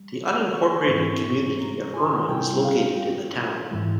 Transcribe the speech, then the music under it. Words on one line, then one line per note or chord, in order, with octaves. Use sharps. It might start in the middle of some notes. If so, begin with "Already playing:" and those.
The unincorporated community of Irma is located in the town.
Already playing: G3
C#6
G#2 E3 G#3 C4 E4 C#6
C#6
A#5
G#5
C3 G3 C4 E4 G5
F5
G#2 E3 G#3 E4